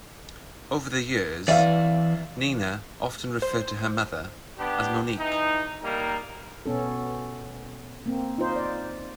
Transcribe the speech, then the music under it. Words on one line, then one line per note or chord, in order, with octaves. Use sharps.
Over the years, Nina often referred to her mother as "Monique".
E3 D5 E5 F5
C5
B3 D4 G4
E3 D#4
G3 A#3 D#4
B2 B3 C#4 A4
A#3 C4
D#4 F4 C5
D5